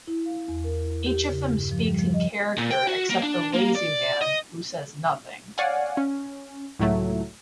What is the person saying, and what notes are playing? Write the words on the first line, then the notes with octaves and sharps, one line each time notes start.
Each of them speaks in character, except the Lazy Man, who says nothing.
E4
F5
E2
A#4
G4
C#3
G2
F3
G3
F3
D#5
A#2
G5
F#4
A#3
D4
A#3
D5
D#5
C#5 D5 F5 F#5 G#5
C#4
C#2 A2 F#3 A3